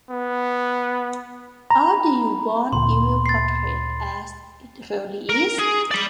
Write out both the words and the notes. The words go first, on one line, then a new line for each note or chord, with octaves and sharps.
Or do you want evil portrayed as it really is?
B3
A#5 B5
D2 A#2 C6
A6 C7
A#4
G#4
D5 B5